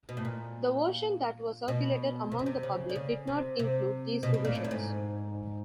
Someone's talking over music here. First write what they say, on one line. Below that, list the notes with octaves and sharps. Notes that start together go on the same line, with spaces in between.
The version that was circulated among the public did not include these revisions.
B2
A2
A#2
B2
C3
B2
C3
C#3
D3
C#3
C3
C3
B2
B2
A#2
A2
G2
G#2